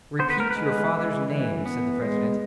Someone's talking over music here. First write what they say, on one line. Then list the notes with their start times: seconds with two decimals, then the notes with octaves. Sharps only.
"Repeat your father's name," said the president.
0.19 B3 C5
0.30 B4
0.40 A#4
0.51 B4
0.56 G#3
0.92 E3
1.29 E3
1.66 B3
2.02 G#3